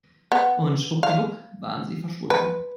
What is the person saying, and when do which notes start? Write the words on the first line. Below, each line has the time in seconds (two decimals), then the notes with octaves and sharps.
Und schwuppdiwupp waren sie verschwunden.
0.32 B3
1.03 F5
2.30 B4